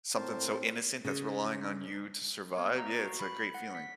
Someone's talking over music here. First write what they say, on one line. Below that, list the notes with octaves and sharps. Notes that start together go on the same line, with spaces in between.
something so innocent that's relying on you to survive, yeah, it's a great feeling.
A2 C4 A#4 C5 A5
C#3
B3
A#5
F#4
B5
F#5
B6